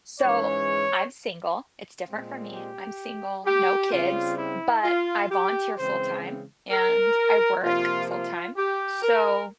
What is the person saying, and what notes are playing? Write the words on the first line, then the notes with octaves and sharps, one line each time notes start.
So, I'm single. It's different for me, I'm single, no kids, but I volunteer full time and I work full time. So,
G#2 E3 G#3 C#4 C#5
A#2 G#3 C4
G4
G4
C#3 G3 C4 F4
E4
F4
G4
C#3 E3 G#3 C4 C5
A#4
C3 F3 A#3 F4
F4
G4
A#4